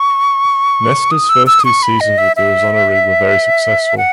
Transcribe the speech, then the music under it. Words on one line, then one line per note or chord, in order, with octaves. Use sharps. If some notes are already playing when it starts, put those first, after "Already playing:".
Nesta's first two seasons with the "Rossoneri" were very successful.
Already playing: C#6
D#6
E6
E6
D#6
C#6
B5
D#5
E5
E5
F#5